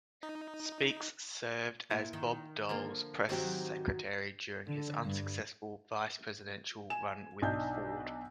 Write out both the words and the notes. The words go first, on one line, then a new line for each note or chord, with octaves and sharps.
Speakes served as Bob Dole's press secretary during his unsuccessful vice-presidential run with Ford.
D#4
A#2 E4
D#3
D3 F3 A#3
G#2 D#3 F#3 C4 G4
D3
G2
G#5 E7
B1 D4 D#4 G6